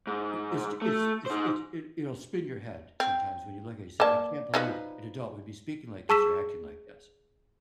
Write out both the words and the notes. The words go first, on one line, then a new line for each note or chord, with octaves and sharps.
It it's ju it's ju it's it it you know, spin your head sometimes when you look and you say, "I can't believe an adult would be speaking like this or acting like this."
G#2
A3
D#4 C5
C4
A#3 D5 A5 D6
F3 D#4 B4
G#4 A5 C#6 E6 B6 E7